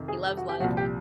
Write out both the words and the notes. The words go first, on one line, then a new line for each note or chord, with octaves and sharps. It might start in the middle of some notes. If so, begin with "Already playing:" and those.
he loves life.
Already playing: F2 C3 D#3
G#4
G4
F#4
G4
C2 A#2 F3 F#4
G4